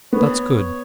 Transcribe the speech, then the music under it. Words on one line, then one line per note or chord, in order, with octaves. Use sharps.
"That's good."
B3 C#5